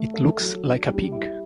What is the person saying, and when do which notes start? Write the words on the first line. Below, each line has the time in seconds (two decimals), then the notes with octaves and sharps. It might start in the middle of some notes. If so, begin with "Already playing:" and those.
It looks like a pig.
Already playing: A3
0.14 A4
0.39 F#3
0.64 D4
0.88 G3
1.12 E4